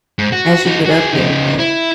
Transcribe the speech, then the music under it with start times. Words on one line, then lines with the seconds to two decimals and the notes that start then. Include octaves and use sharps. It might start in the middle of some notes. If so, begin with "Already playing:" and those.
as you get up there, but,
0.18 G#2
0.32 F#4
0.65 D#4 F#4
0.86 F#4 G#4
1.13 C#3 D#4
1.59 E4